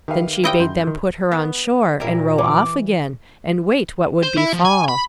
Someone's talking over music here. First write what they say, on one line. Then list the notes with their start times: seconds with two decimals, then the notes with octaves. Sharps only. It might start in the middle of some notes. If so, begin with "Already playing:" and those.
Then she bade them put her on shore, and row off again, and wait what would befall.
0.08 D#3 G4 B4 E5 F5
0.44 E4 F4 G4 B4 C#5 D#5 G5
0.60 F#2 C6 G6
0.87 D#3
1.32 B3
2.00 A#2 G3 E4 A#4
2.38 E3 D6
4.23 C5
4.37 E4
4.53 F3
4.65 G#5
4.88 B5